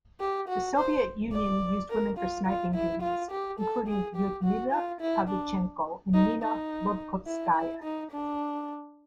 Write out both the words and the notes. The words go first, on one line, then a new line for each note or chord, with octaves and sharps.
The Soviet Union used women for sniping duties, including Lyudmila Pavlichenko and Nina Lobkovskaya.
G4
F#4
C5
D5
A#4
F4
F4
E4
F4
G4
A4
G#4
G4
F#4
F4
E4
D4
D#4
D#4
E4
E4
D#4
D4